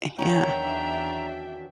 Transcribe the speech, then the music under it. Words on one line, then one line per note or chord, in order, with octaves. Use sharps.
Eh, yeah.
E2 D#3 F#3 C#4 D4 E5 G5 A#5